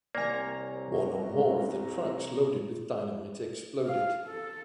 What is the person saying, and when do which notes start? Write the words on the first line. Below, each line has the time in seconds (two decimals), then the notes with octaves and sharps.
One or more of the trucks loaded with dynamite exploded.
0.15 C2 C3 A#3 C#5 D5 G#5 A#5
3.86 F5
4.27 A4